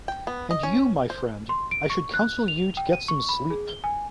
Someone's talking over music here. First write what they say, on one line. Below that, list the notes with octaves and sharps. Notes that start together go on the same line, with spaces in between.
And you, my friend, I should counsel you to get some sleep.
G5
B3
D#5
C#4
C5
C6
D7
C#6
F#6
F7
G5
D#7
C#6
B5
G#4
G7
G#5